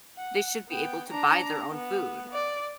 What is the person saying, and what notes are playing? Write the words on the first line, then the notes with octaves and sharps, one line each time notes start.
They should be able to buy their own food.
F#5
B3 G5
D4 A#5
B3
D5